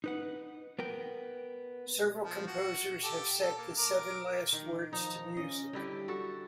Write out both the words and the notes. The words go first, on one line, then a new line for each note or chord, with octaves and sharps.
Several composers have set the Seven Last Words to music.
D#4 B4 F#5
B3 A#4 G5
F3
F#4
G4 A4 D6
A4
A#3
A#4 D6
D#3
F3 D#4
C#4 D#5
D3 G3 E4 G4
F#4 A4